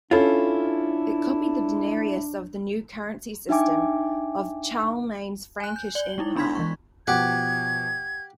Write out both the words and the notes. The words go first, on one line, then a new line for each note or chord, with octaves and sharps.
It copied the "denarius" of the new currency system of Charlemagne's Frankish Empire.
C#4 D4 E4 F4 A4
D4 D#4 E5 G5 G#5 D6
G#5 F#6
G6
D5 F#7 G7
G#3 D#4 E4
B3 D4 B5 C6 G#6 B6
E3 G#3 C#6
B2 F3 G4 F#5 G#6